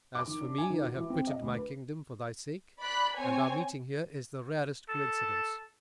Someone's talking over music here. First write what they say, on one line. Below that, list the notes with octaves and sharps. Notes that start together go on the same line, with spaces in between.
As for me, I have quitted my kingdom for thy sake, and our meeting here is the rarest coincidence.
D6
D#3
D4
G#5
D#3
F#4
E3
C4
D#5
D2
B4
D5 B5 F#6
C4 C#5 G#5
A4